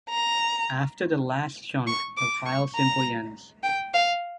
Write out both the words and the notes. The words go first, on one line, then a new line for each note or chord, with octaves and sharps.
After the last chunk the file simply ends.
A#5
C#6
D6
C#6
A#5
G5
F5